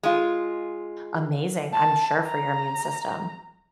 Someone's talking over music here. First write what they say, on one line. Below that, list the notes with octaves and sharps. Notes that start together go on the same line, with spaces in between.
amazing, I'm sure, for your immune system.
G#3 F4
A5
A#5